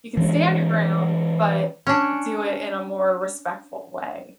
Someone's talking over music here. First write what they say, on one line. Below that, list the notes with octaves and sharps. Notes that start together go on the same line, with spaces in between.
you can stand your ground, but, uh do it in a more respectful way.
E3 G#3 C#4
C#4 D4